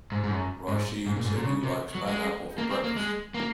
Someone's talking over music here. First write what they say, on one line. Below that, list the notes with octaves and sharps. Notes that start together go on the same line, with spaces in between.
Rachid said he likes pineapple for breakfast.
G#2
G#2
F#2
G#2
G#2
A#2
G#2
A#2
C#3
C3
F#3
G#3
A#3
C4
A#3
G#3
A#3